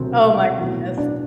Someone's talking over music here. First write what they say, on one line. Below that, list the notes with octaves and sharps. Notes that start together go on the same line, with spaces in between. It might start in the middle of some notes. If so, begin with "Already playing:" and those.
Oh my ness.
Already playing: E1 D2 C3 F#3 C4
B1 A2 F#3 B3
D4